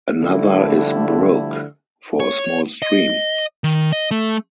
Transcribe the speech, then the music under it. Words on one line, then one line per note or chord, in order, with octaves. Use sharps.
Another is "brook", for a small stream.
D3 F3 G3 A3 E4
C#5
D#5
D#3
D#5
A3